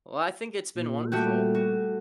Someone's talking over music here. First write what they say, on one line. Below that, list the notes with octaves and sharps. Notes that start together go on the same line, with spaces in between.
Well, I think it's been wonderful,
A#2
G3 A3 F#4 G4
F#4